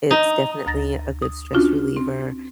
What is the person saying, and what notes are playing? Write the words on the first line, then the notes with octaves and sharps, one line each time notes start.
it's definitely a good stress reliever,
D#4
D2 A#5 A6 A#6
D#6
C#4 D4 F4 F#4
C4